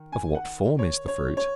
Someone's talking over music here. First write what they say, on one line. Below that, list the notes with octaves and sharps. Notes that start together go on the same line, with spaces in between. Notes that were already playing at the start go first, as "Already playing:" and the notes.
Of what form is the fruit?
Already playing: D#3
G#5
F#5
C#5
C#5
C#5